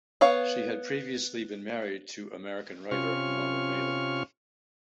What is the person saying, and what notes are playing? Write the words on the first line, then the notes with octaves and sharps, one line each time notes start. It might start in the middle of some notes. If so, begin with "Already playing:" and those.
She had previously been married to American writer Norman Mailer.
B3 C#5 F5
C3 C#4 F4 C#6 F6